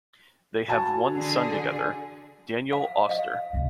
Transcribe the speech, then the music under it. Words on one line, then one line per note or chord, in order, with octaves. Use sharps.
They have one son together, Daniel Auster.
F#4 G#5 A5
D3 G#4
F5
D#5 F5
D2 C3